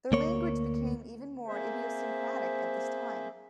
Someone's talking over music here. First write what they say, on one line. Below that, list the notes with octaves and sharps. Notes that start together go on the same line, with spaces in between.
Their language became even more idiosyncratic at this time.
D2 A#3 C#5
A#3 C4 G#4 C5 E5